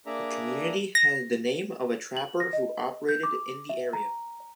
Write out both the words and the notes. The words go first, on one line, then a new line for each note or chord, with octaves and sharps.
The community has the name of a trapper who operated in the area.
A#3 D4 G#4 D5 E5 A#5
A#6
F#7
A#6
D#5
G6
D6
E5
A#5